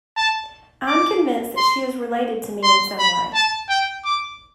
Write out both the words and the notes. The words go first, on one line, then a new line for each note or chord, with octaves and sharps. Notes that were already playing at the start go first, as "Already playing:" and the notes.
I'm convinced that she is related to me in some way.
A5
D6
C6
C6
B5
A5
G5
D6